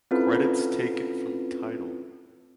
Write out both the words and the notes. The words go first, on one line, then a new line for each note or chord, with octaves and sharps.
Credits taken from Tidal.
C4 C#4 E4 F4 A4 B4